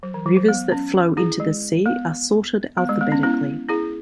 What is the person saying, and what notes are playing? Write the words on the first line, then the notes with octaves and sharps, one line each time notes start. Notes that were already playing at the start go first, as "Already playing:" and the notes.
Rivers that flow into the sea are sorted alphabetically.
F#3
E3
F#3
F#3
B3
C#4
E4 G#4
G#3
B3
B3
G#3
B3
C#4
B3 E4
E4 G#4